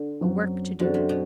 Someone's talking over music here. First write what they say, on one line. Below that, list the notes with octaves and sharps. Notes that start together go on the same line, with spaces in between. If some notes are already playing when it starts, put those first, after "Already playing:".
A work to do.
Already playing: D3
F#2 F#3 C4 F#4
F#2 D3 F#3 C4 F#4
C3
B2